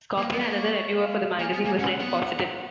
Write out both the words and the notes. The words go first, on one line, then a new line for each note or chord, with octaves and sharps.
Scorpia, another reviewer for the magazine, was less positive.
A#3 B4
B3
A#3
C#5
F5
A#3 G#5
B3
A#3
C#4 F#5
B3